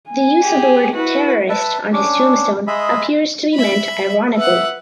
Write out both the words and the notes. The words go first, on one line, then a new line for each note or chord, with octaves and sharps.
The use of the word "terrorist" on his tombstone appears to be meant ironically.
G#5
G4 G#4
E4 F#4 B4
B4 E5 A5
C#4 D4
G#3 G#4 D#5 E5 B5
E5 B5
B4 E5 F#5